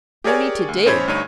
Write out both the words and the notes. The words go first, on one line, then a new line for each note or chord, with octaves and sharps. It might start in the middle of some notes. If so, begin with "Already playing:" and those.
No need to dig.
G4 G#4 A#4 C#5 D5 G#5
D2
A1 C#4 C5 C#5 B5 G#6
D2 G2 D#4 C#5 D#7